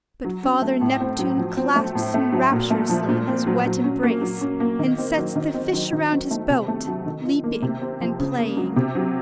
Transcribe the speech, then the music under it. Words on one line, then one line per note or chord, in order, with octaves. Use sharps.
But Father Neptune clasps him rapturously in his wet embrace, and sets the fish around his boat leaping and playing.
F#3
C#4
A3
A2
C4
F#3
F3
C4
A3
A2
A3
F#3
A#2
A3
F3
A#2
C4
F#3
F#3
C#4
A#3
F#3
C#4
A#3
D#3
C4
F#3
D#3
C4
F#3
D#3
C4
A3
C3
A3
F#3
D#3
F4
A#3
C3
C4
F3
C#3
A#3
F#3
C3
F#3